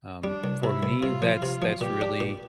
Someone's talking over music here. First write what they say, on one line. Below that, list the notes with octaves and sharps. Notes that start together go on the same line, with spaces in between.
um, for me, that's that's really
G3 D4
C2
C3 E4
C2
C3 F4
F3
C3
F3
A#2 G4
D4
A#2